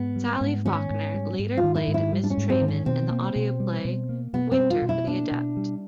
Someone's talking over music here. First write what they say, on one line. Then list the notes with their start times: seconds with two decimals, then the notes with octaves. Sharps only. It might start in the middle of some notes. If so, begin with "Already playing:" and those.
Sally Faulkner later played Miss Tremayne in the audio play "Winter for the Adept".
Already playing: G#2 B3
0.16 G3
0.41 G#2
0.65 D#3 C#4
0.90 G#2
1.14 G3
1.39 G#2
1.57 F4
1.63 D#3
1.76 E4
1.88 G#2
1.94 E4
2.12 G3
2.24 D4
2.30 C#4
2.37 G#2
2.50 C4
2.62 D#3
2.68 C#4
2.86 B2 C4
3.11 A#3
3.36 B2
3.60 G3
3.85 B2
4.09 A#3
4.33 B2 B3
4.52 C4
4.58 G3
4.70 F4
4.82 B2
4.89 E4
5.07 A#3 D4
5.31 B2
5.57 G3